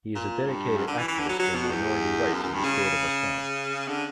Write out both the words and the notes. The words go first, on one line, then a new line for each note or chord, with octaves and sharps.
He is a dedicated activist for Minority Rights in the State of Assam.
A#2
G2
F#2
D3
E3
E3
D3
F#3
F#3
B2
E2
F#2
F#2
G2
C#3
D3